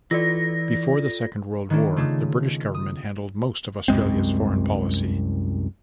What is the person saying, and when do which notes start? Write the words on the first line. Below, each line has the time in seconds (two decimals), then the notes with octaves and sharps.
Before the Second World War, the British Government handled most of Australia's foreign policy.
0.11 E3 F4 A4 D5 A#6
1.70 D#3 B3 C#4 D4
1.96 C#3 A3 F4 G#4 A4
2.74 D#6
3.88 C2 F#2 G#3 C4